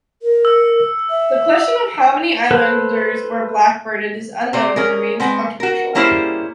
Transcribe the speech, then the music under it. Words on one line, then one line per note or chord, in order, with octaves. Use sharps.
The question of how many Islanders were "blackbirded" is unknown and remains controversial.
A#4
E6
E5
A4 B4 C5 F#6
C3 C5 D5
C#4 G#4 A#4
G#3 B3 C4
F#4 A#4
G3 A#3 C#4 E4 G#4 C5